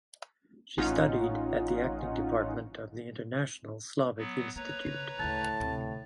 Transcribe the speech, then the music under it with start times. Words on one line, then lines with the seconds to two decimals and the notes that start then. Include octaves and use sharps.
She studied at the acting department of the "International Slavic Institute".
0.78 A1 C#4 D#4 F4 F#5
4.17 F#3 B3
4.56 A#3 B4 C#5 A#5
4.86 C#3
5.19 D2 A2 C#3 A5
5.60 D2 C3